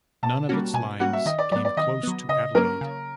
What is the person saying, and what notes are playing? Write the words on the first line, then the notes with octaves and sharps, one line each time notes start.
None of its lines came close to Adelaide.
B2 A5
G3 A#3 C#4 F#4
B2 G#5
G3 A#3 C#4 F#4 F#5
E5
D#3 D#5
D5
F#3 B3 D5
D5
D#3 D#5
F#3 B3
C#3 D#5
F#3 A#3 C#4 A#4
C#3